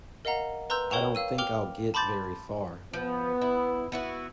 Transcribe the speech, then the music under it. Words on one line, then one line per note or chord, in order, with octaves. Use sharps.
I don’t think I’ll get very far.
A#4 D#5 F5 F#5 A#5
B4 A#5 C6 E6 G6
A#4 C#5 G5 C#6 E7 F7
F5 E6 D#7
G5 D6 F6 F7 G7
A5 B5 C6 D6 G6 A6
F3 B3
E4
B3 E4 F#4